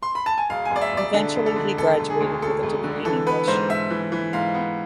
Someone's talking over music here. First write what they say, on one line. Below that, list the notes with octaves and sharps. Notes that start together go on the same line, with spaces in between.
Eventually he graduated with a degree in English.
C6
B5
A5
G#5
E1 F5
G#5
E1
D5
E5
E1 D5
D3 A4
E1
A4
D3
E1 A4
E1
G#4
D2
D2 A4
E1
D3
E3 A4
B3 B4
G#2 C5
G#2 E5
E3
E3
G#2 F5
B3